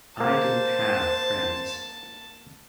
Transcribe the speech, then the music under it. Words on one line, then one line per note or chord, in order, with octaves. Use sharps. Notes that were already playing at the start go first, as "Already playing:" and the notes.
I didn't have friends.
A#3 C5 A5